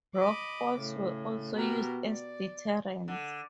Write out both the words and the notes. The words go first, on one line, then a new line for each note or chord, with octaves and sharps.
Rock falls were also used as deterrents.
D#5 B5 D6
A2 C#3
B2 G4 A#4
D5
D3